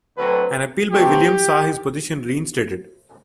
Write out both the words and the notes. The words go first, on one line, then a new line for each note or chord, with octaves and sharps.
An appeal by Williams saw his position reinstated.
D2 D3 F#3 C4 B4
B2 F#3 A3 C4 G4